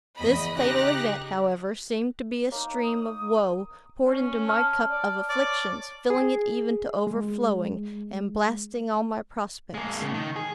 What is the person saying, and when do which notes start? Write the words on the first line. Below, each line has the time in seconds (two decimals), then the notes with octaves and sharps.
This fatal event, however, seemed to be a stream of woe poured into my cup of afflictions, filling it even to overflowing, and blasting all my prospects.
0.16 E2 D#5 B5
0.56 C#3 D#4 G4 F#6 A#6
2.52 A#3 D#4 C#5
2.83 D#6
4.06 C#4
4.48 A5 F6
4.90 D5
5.30 C#5 D5
6.10 G#4
7.07 G#3
9.74 G#3 A#3
10.01 A2 C#3
10.14 D#3
10.36 G#4